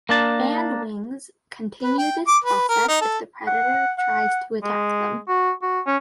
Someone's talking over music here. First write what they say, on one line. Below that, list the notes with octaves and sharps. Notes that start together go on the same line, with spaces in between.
Bandwings continue this process if the predator tries to attack them.
A#3 D4 A5
B4
G5
D6
B4
A#4
D#4
A4
F#5
F#5
G#3
F#4
F#4
C#4